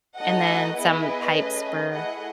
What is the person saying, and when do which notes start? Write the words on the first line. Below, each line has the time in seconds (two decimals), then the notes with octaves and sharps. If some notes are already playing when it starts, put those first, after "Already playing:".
and then some pipes bur
0.18 A3 D#4 F#4 A4 D#5 F#5
0.76 B3 E4 G#4 B4 D#5
1.34 A3 C#4 G#4
1.93 A3 E4 G#4 D#5 F#5